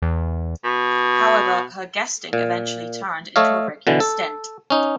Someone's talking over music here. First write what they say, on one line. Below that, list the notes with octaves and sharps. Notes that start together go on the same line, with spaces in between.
However, her guesting eventually turned into a regular stint.
E2
B2
A#2
A3 A4 C#5 D#5 F5
B2 D3 E3
A4
C#4 D#4